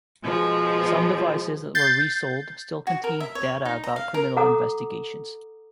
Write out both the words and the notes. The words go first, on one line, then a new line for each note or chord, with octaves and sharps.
Some devices that were resold still contained data about criminal investigations.
B2 F3 G#3
G6 A6 C7
F#4
A#4
E5
C#5
D#4
A#5
F5
A#4
A4 F#5 A#5 D6 D#6